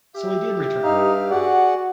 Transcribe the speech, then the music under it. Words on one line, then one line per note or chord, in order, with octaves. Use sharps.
So he did return!
G4 E5
G2 D#4 F5
F#4 G#4 D5 F#5